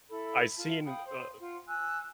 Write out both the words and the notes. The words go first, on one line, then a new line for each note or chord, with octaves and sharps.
I seen a
E4 A4 B5
F4 A5
F5 G5 B5 D#6
C5
F4 F#5 C6
G#5 E6 F#6